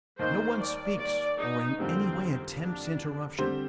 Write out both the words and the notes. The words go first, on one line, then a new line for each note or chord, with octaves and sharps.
No one speaks, or in any way attempts interruption.
D#2 D#3 A#3 D#4 C5
D5
D5
D#4
F2 D3 G3 A#3 C4
D4
D3 G3 C4 G4 C5